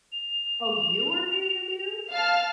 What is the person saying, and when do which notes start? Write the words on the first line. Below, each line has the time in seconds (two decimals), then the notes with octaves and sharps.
Oh, you were being abused?
0.12 F7
2.12 F5 A5 F6